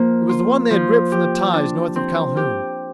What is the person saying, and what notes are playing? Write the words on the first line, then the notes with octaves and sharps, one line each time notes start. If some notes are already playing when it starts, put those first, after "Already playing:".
It was the one they had ripped from the ties north of Calhoun.
Already playing: F3 A#3
F4
F3
G4
D4
C4
G4